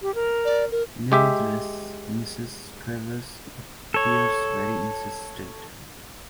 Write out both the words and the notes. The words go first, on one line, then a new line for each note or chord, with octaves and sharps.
Nevertheless, Mrs. Travers appears very insistent.
G4
A#4
D5
A#4
G#3 G4 E5
A4 C#5